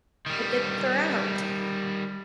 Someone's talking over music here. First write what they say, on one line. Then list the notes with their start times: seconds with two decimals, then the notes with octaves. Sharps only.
It gets around.
0.26 D#3 G3